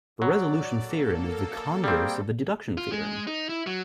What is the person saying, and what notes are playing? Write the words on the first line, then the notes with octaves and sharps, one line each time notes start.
The resolution theorem is the converse of the deduction theorem.
F#3 D5
A#3 A4
G3 A#3 C4 G#4 G5
F4
G#3
D#4
E4
F#3